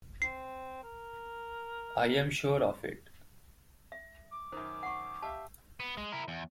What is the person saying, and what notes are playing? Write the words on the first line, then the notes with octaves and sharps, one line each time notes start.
I am sure of it.
C4 C7
A#4
E5
D6
F#2 D#3 C5
F#5 C#6
G4 E5 F5 A5
B3
G#3
E4 A#4
E2